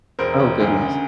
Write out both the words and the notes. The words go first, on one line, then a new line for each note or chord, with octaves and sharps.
Oh goodness.
E1 A#4 C5
E1
D2
C#3